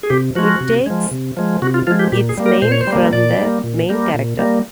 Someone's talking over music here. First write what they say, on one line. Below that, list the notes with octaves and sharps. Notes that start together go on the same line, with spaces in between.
It takes its name from the main character.
G#4
C3 G4
F3 G#3 F#4
C3
F3 G#3
C3
F3 G#3
C3 F#4
F4
F3 G#3 F4
G4
A#2 G4
G#4
G3 A#3
A#4
A#2 C5
C#5
C5
G3
A#3
A#2 D5
G3 A#3
A#2
G3 A#3
A#2
G3 A#3